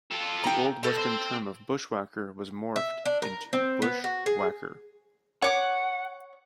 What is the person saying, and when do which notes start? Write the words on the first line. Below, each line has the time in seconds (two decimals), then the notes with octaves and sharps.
The old western term of "bushwhacker" was morphed into "Busch Whacker".
0.11 F4 A4
0.44 G5 A#5
0.83 B2 A4 G5
0.97 C4 C5
2.76 E5
3.06 D4
3.22 A#4
3.53 C4
3.82 B3
4.04 F#4
4.26 G#4
5.42 C#5 F#5 D6